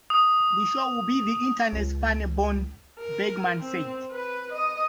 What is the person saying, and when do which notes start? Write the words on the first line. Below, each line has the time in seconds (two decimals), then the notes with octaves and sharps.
"The show will be the Internet's funny bone," Bergman said.
0.10 D#6
1.73 C#2
2.99 A#4
3.59 C4
4.12 B4
4.53 D#5